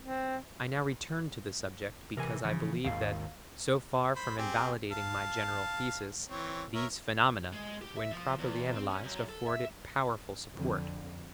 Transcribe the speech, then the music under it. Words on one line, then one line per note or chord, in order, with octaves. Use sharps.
I now return to the subject, because I believe that, so far from invalidating my general thesis, these phenomena, when properly analyzed, afford it powerful support.
C4
C3 E3 A#4 G#5
C#3 E3 F3
G#1 D#2 D#3 F5
C5 B5
C4 G4 G#4
F5 A5
E3 C4 C#5
A#4 C#5 E5
G#3
G4
E5
F3
E2
C4
C#4
F#2
A4
E5
F2 D3